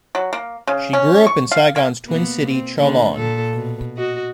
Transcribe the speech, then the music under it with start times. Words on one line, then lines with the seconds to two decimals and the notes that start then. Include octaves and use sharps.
She grew up in Saigon's twin city, Cholon.
0.15 F#3
0.33 A#3
0.67 C#3
0.93 C#4
1.27 C#6
1.51 F5
1.76 A#3
2.06 B2 A#3 B3
2.50 C4
2.80 D3 A#3
3.14 A#2 A4
3.54 B2
3.97 F#4 D#5